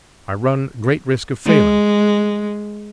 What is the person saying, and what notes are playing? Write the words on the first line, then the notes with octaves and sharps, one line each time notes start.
I run great risk of failing.
G#3